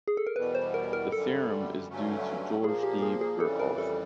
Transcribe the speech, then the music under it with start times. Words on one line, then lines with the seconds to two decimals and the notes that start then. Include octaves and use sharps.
The theorem is due to George D. Birkhoff.
0.08 G#4
0.17 A4
0.27 A#4
0.36 E2 B2 G3 B4
0.55 C5
0.74 A#4
0.93 A#4
1.12 F#2 D3 G3 A4
1.88 G2 D3 F#3 A3 C#4
2.64 A#2 F3 A#3 G#4
2.83 G4
3.02 G#4
3.21 G#4
3.40 F2 C#3 E3 G3 A4
3.60 A#4
3.78 A4